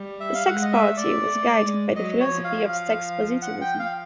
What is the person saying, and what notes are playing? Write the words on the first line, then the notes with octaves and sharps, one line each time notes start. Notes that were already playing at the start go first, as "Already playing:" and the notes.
The Sex Party was guided by the philosophy of sex-positivism.
Already playing: G3
E5
F5
G#3 F#5
D#5
E5
A3
D5
A3
G#3
F#3 D#5
C#5
F3
F5
F5
F#5
G5
F5